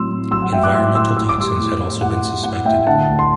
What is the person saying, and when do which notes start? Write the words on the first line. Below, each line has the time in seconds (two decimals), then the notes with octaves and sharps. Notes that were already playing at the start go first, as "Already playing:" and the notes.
Environmental toxins had also been suspected.
Already playing: A2 F#3 C4 C6 E6
0.10 A2
0.31 F#3 C6 E6
0.42 F#5
0.53 F#3 E5 G5
0.63 D6 F#6
0.73 A2 C6 E6
0.95 A2 C6 E6
1.17 A2 E6
1.29 D6
1.38 G3 C6 E6
1.59 A2
1.80 A2
2.01 A2 F#5
2.22 A2
2.44 A2 F#5
2.65 A2 E5 G5
2.87 D3 F#5 A5
3.08 D2
3.19 C6